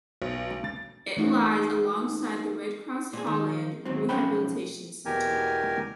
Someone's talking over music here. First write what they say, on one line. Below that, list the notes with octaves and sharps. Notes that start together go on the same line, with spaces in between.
It lies alongside the Red Cross Haugland Rehabilitation Centre.
B1
A6
E3 A3 D#4 F#4
A#2 G#4
D#3
D#2 F#3 C4
B1 F3 C#4 F#5 G5 B5
E2 B2 G4 A#4 G#5